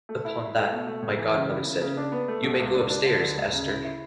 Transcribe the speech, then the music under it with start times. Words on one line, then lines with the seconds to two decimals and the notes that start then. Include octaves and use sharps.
Upon that, my godmother said, "You may go upstairs, Esther!"
0.09 A3
0.25 E4
0.41 E4
0.57 A3
0.72 B2
0.87 A3
1.02 A2
1.19 E3
1.34 C#3
1.50 E4
1.65 C#3
1.81 C#3
1.97 D4
2.12 B3
2.28 A3
2.43 B2
2.59 C#2
2.74 D4
2.90 D4
3.06 D3
3.21 D2
3.37 D2
3.53 C#3
3.68 E4
3.84 E4